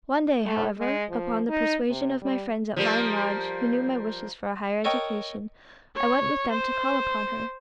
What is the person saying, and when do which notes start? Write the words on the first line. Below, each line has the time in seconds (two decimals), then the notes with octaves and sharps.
One day, however, upon the persuasion of my friends at Vine Lodge, who knew my wishes for a higher education, I went with them to call upon her.
0.46 A3
0.78 G#3
1.10 F3
1.49 D#4
1.89 C3
2.22 G3
2.76 F3 G3 A#3
4.84 A4 A#4 C#5 D#5 G5
5.95 C#5
6.51 C5